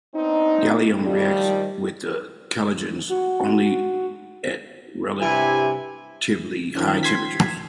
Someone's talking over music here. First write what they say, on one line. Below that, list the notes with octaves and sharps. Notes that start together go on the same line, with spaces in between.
Gallium reacts with the chalcogens only at relatively high temperatures.
B3 C4 D4 D#4
D#3 F3 G3
F#4
G2 C3 E4 G#5
D#3 F3 C#4
C6 G#6 B6